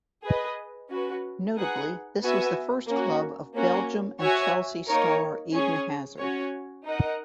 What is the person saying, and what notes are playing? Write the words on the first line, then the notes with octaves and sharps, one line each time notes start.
Notably, this was the first club of Belgium and Chelsea star Eden Hazard.
G#4 B4 D#5
C#4 F#4 B4
D#4 G#4 B4 F#5
B3 F#4 B4 E5 G#5
A#3 C#4 F#4
A#3 C#4 F#4
F#4 C#5 E5 G#5
A#3 D#4 A#4 C#5
C#4 G#4 C#5 G#5
C#4 F#4 C#5
D#4 A#4 D#5 F#5